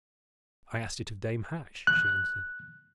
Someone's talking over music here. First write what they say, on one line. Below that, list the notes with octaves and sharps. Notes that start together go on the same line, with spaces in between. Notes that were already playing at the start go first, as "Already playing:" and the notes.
"I asked it of Dame Hatch," she answered.
F#6